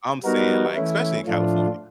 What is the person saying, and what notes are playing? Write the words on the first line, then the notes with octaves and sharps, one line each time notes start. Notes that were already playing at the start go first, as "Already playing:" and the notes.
I'm saying, like, especially in California,
G3 B3 D#4 F#4 A#4
E3 A3 C#4 E4
A2 F3 A3 D4 F4